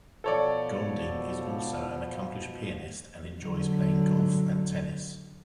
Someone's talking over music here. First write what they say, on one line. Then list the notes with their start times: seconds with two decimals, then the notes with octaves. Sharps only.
Golding is also an accomplished pianist and enjoys playing golf and tennis.
0.24 B2 F3 A4 C#5 D5
3.41 D3 F#3